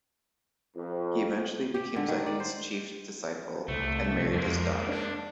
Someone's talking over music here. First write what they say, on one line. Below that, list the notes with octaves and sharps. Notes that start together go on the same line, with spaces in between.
He eventually became Zahid's chief disciple and married his daughter.
F2
G4
D3
D#3
D5
C5
C2 A3
F2 G#3 A#3
D4